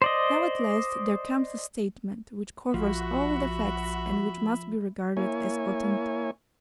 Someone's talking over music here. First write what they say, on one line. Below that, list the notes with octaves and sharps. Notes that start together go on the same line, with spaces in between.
Now, at last, there comes a statement which covers all the facts, and which must be regarded as authentic.
C5 D5 D#5
A#1 F3 F#4 E5 B5
A#3 E4 C#5 G#5